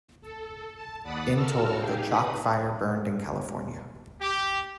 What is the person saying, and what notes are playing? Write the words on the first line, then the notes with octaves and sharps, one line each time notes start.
In total the Chalk Fire burned in California.
A4
A5
D#2 D5 F#5 B5 D#6 A6
F#4 A4 A#4 A5 E6 F6
D#4 G4 G#4 F5 G5
D#4 B4 B5 D#6
G4